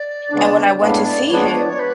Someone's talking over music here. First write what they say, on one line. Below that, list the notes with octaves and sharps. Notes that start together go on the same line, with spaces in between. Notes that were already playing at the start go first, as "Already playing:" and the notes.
And when I went to see him
Already playing: D5
C#3 G#3 B3 D4
A2 G#3 B3 D4 F5
C#5
D5
F3 G#3 B3 D4 C#5
D5
C#5
B4